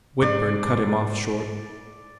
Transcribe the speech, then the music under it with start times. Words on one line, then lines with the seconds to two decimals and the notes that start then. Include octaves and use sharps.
Whitburn cut him off short.
0.22 G#2 D5